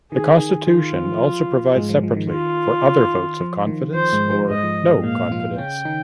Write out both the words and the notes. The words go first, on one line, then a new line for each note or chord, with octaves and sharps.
The Constitution also provides separately for other votes of confidence or no confidence.
D#3 G#4
D#3
D#3 F4
F3
G#2 G#3
F3
F3
D#3
F4
F3
D#3
F3 C5
G#2 G#3
F3
G#2 G#3 D#5
F3
G#2 G#3
A#2 A#3 F5
F3 F4
C#3 C#4 G5
D#3 D#4